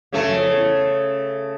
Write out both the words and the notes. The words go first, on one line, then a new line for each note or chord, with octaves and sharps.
And then
C#3 A3